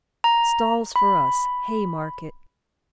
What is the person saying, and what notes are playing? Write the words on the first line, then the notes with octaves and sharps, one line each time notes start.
Stalls for us, Haymarket.
A#5
B5